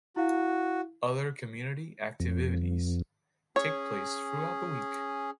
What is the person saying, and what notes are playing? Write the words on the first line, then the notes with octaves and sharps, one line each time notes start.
Other community activities take place throughout the week.
E4 F#4 F5
F2
C#4 G#4 C#5